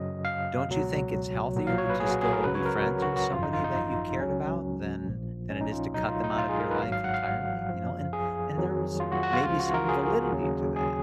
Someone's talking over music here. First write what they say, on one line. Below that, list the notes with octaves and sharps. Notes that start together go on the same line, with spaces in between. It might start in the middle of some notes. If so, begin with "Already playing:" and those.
don't you think it's healthier to still be friends with somebody that you cared about than than it is to cut them out of your life entirely, you know," and and there was maybe some validity to that,
Already playing: F#2 C#3 F#3 D#5
F5
C#2 B2 F#3
B1 A#2 F#3
F5
C#5
B4
G#4
F#4
G#4
A#4
C#2 C#3 F#3 B4
C#5
A#4
F#4
F#4
F#4
G#1 F#2 F3 F4
D#4
F4
D#4
C#2 C#3 F#3 C#4
A#1 A#2 F3
C#4
D#4
F4
C#2 B2 F#3 D#4
F4
D#4
F4
G#4
A#4
B4
G#1 G#2 F#3 F5
F5
F#5
F5
F#2 F3
G#4
F2 D#3 F#3
F4
F#4
F#4
F4
C#2 C#3 F3 F4
F#4
A#4
G#4
D#2 C#3 F#3
G#4